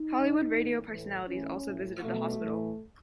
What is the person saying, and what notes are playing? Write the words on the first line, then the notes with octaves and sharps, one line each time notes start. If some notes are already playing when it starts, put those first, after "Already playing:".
Hollywood Radio personalities also visited the hospital.
Already playing: D#4
A2 E3
A2 E3
A2 E3
A2 E3 C#4
A2 E3
B2 A3
A2 E3